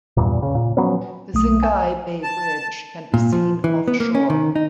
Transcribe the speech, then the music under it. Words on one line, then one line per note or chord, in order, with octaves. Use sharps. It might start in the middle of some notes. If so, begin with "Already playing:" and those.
The Xinghai Bay Bridge can be seen offshore.
E2 G2 A#2
C#3
A#2
F3 F#3 B3 C#4
B1 A3 D#6
G#5
A5
A#2
F3
E3
B3
A#3
C#4
D#3
D#4